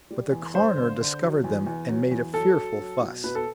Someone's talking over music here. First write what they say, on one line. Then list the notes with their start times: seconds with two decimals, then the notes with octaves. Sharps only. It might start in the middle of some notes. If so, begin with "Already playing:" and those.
But the coroner discovered them, and made a fearful fuss.
0.11 G3
0.32 E2
0.54 G2 C5
0.77 D3
1.00 D3
1.22 F#3
1.44 E2
1.67 E2
1.89 F#3
2.11 E2
2.34 F#3 A4
2.56 F#3
2.79 F#3
3.01 B2
3.24 B2 B4
3.35 A4